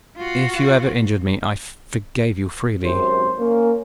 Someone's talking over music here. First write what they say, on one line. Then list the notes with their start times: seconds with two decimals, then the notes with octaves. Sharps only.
"If you ever injured me, I forgave you freely."
0.17 F4 F#4
2.83 G#1 F#2 C3 C5
3.38 A#3 C#4